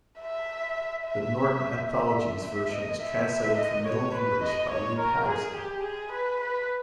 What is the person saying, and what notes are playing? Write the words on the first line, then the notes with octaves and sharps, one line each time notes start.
"The Norton Anthology"'s version is translated from Middle English by Lee Patterson.
E5
E5
E5
E5
D#5
E5
E5
D#5
C#5
B4
D#5
C#5
A#4
G#4
G4
G#4
B4
B4